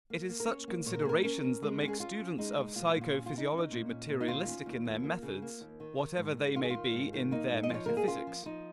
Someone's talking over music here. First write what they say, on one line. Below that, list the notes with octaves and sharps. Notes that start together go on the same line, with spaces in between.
It is such considerations that make students of psychophysiology materialistic in their methods, whatever they may be in their metaphysics.
A#3
A#3
A#4
C#4 C#5
A#3
A#2 C#5
A#4
G#4
A#3 A#4
C#4 A#4
C#4
G#3
C#4
G#4
C#4 F4
C#4
G#3 D#4
G#3
A#2 F4
A#2
F4
C#4
F4
C#4 D#4
C#4
D#4
A#2
C#4
A#2
D#4
D#2 F4
C#4
D#2
D#2
A#3
C#3
A#3
D#2
D#3
D#3
G#2
G#2
D#3 F4
G#4
D#3 F4
G#2
D#3
A#3 D#4
G#2
D#5
F3 C#5
A#3 A#4
G#4
C#4 F4
F3
F3 D#4